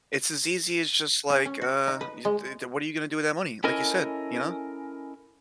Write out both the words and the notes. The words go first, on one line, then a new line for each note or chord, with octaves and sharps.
It's as easy as just, like, uh, t th what are you gonna do with that money, like, you said, you know?
C#4
C#4
F#4
D#4
B4
G#3
C#4 E4 A4 A#4 D#5 G#5